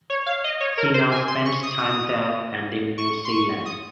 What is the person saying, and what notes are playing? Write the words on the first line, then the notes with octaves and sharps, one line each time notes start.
He now spends time there and in New Zealand.
C#5
F5
D#5
C#5
A#4
C5
G#5
C6
C#6
D#6
C#6
C6
C#6
D#6